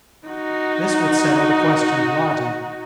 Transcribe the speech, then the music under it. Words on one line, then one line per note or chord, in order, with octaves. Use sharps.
This would settle the question of lodging.
D#4 F#4